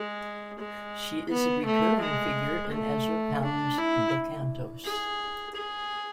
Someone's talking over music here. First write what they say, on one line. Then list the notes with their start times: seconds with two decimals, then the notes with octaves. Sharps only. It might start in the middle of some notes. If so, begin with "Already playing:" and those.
She is a recurring figure in Ezra Pound's "The Cantos".
Already playing: G#3
0.59 G#3
1.29 B3
1.65 A3
2.01 G#3
2.72 A3
3.43 D4
3.78 E4
4.84 G#4
5.55 G#4